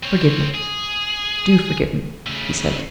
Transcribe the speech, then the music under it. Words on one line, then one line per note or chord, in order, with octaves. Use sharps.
"Forgive me--do forgive me," he said.
C4 C#5
G#4
C#3 A3